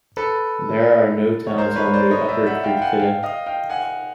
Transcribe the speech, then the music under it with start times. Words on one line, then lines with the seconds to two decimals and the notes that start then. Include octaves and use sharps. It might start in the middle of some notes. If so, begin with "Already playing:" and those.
There are no towns on the upper creek today.
0.17 A4 B4
1.47 C#5
1.58 A#4 C5
1.71 C5
1.76 B4 C#5
1.93 C5 D5
2.11 C#5 D#5
2.29 D5 E5
2.46 E5 F#5
2.64 F5 G5
2.77 G5
2.82 F#5 G#5
2.99 F5 G5
3.23 D#5 F5
3.46 F5 G5
3.70 F#5 G#5